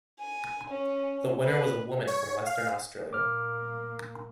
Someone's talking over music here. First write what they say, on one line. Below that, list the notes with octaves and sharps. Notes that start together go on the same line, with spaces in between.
The winner was a woman from Western Australia.
G#5
C#4
B4
C#5
F5
A#2 A#3 D6 F6